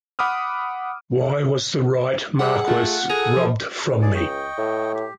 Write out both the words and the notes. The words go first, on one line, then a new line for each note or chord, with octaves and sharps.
Why was the Right Marquess robbed from me?
F#5 B5 D6 D#6 F6
G3 G#4 F#5
A3 F4
G#4 A4 A#5
F3
C#2
G#4 D5
D#5 G5 C#6
A2
G4